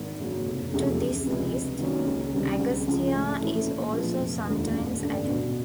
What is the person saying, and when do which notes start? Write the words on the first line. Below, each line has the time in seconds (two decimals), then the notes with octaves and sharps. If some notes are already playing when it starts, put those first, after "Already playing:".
To this list, Agastya is also sometimes added.
Already playing: G#1
0.19 F#2 C#3 F#3 A#3
0.46 F1
0.72 E2 C3 F3 A3
0.98 C#2
1.26 C3 F3 G#3 B3
1.52 C3
1.79 D#3 F#3 A#3 C#4
2.06 C#2
2.33 C3 D#3 G3 C4
2.59 C#2
2.86 C#3 F3 G#3
3.13 A2
3.40 E3 A3 C#4 E4
3.66 A#2
3.93 F3 G#3 B3
4.19 F1
4.46 D#2 D3 F3 A#3
4.73 A1
5.01 G2 D3
5.27 B2